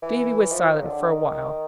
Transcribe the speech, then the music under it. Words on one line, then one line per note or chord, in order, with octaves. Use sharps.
Davie was silent for a while.
E3
F3
D#3
C#3
D3
D#3